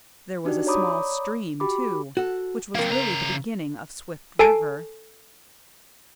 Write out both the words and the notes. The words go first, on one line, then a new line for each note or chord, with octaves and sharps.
There was a small stream, too, which was really the beginning of Swift River.
D4 D#4 F#4 G4 D5
C#5 D5 A#5 B5 D6 D#6
F#4 G4 B5 D6
F#4 A4
A#3 C4 A#4 F5
C#3 A#5
A4 G#5 A5 C7 D7